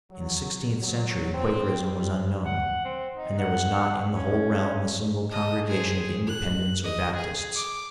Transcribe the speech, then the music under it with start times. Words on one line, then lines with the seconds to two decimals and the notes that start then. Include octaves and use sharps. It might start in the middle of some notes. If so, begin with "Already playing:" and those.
In the sixteenth century Quakerism was unknown; and there was not in the whole realm a single congregation of Independents or Baptists.
0.11 F#3
0.80 F#3
1.34 C4
1.84 G3
2.46 F#5
2.85 C4
3.15 D#4
3.39 F#5
4.16 C#4
5.31 A4 D#5
5.67 C4 G#4
6.27 F#6
6.83 D#5
7.16 G#4
7.55 D6